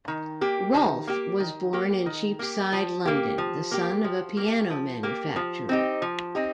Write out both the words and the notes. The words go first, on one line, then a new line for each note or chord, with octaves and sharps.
Rolfe was born in Cheapside, London, the son of a piano manufacturer.
D#3
A#3 G4
D#3
A#3 G4
D#3
A#3 G4
D#3
A#3 G4
F3
A#3 G4
F3
A#3 G4
F3
A#3 G4
F3
A#3 G4
F3
C4 D#4 G4
F3
C4 D#4 G4